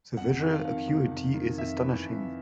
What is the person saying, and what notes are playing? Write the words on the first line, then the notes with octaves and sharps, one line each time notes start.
The visual acuity is astonishing.
F2 F#5
D#3
F5
F2
C3
F2
D#3
F2 E5
E3
F2